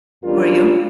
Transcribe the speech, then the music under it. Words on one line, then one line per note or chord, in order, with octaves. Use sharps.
Were you?
E2 G3 C#4 D4 F4 A#4